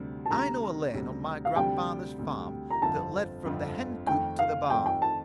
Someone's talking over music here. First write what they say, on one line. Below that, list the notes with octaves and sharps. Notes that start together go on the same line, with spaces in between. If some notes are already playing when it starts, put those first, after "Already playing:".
I know a lane on my grandfather's farm that led from the hen-coop to the barn.
Already playing: D2 C3 G3
A5
D2 C3 G3 A#5
D2 C3 G3
F5
D2 C3 G3 G5
D2 C3 G3
A#5
G1 F2 D3 F3 C4 A5
G1 F2 D3 F3 C4
F2 D#3 A3 G5
F5
F2 D#3 A3 G5
G5
A5